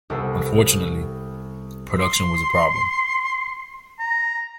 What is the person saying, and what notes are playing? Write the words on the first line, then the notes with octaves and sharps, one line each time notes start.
Unfortunately, production was a problem.
C2 B3 A4 B4 B5 C7
C6
A#5